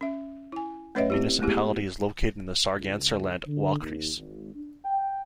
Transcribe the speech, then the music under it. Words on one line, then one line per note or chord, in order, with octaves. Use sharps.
The municipality is located in the Sarganserland "Wahlkreis".
C#4 E5
E4 G#5
A3 C#4 B4 C#5 D#5 E5
C4 E4 G4
G#3 A3 B3 E4 G4 G#4
C#2
D3
D#2
G#1
D4
G5